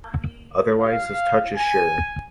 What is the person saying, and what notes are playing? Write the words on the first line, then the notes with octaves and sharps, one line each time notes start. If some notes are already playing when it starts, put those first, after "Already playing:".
Otherwise his touch is sure.
F5
G#5